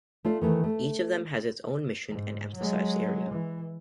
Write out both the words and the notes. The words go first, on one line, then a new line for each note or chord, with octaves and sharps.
Each of them has its own mission and emphasized area.
A3 F4 D5
D#3 E3 A3
A3
G#2
F#3 G#3
E3